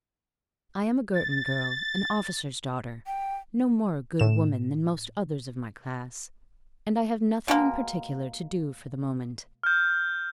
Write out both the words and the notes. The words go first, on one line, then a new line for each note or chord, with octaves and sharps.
'I am a Girton girl, an officer's daughter, no more a good woman than most others of my class; and I have nothing in particular to do for the moment.
A6
G5
A2 E7
B2 G#3 A#3
F6 G6